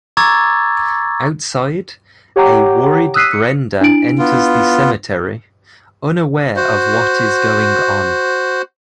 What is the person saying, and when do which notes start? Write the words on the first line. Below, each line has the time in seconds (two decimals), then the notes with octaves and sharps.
Outside, a worried Brenda enters the cemetery, unaware of what is going on.
0.17 A#5 C#6 D6 E6 G#6 A6
2.36 G4 C#5 F#5 G5 A#5 D6
3.14 D#6 E6 F#6 B6 C7 D#7
3.32 C#7
3.81 D4 E4 D7
4.19 B3 F4
6.56 F#4 C5